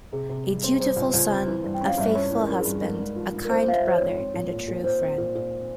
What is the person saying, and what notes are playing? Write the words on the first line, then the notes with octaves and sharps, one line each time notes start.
A dutiful son, a faithful husband, a kind brother, and a true friend.
C3 G#4
C3
G3
C4
G3 C5
C#2
C#2
C4
E3
G2
G5
C#4
F5
G2 E5
C#4 C#5
E3
A#4
C#4 A#4
G#4
G2
G#2 A#4
G#2
F3
G#2
A#4
C4 C5
F3 F5
C5 E5
F3 C5
C#5
G#2
C4
A#2
A#2
A#2
A#2 C5
C4
A#2
A#2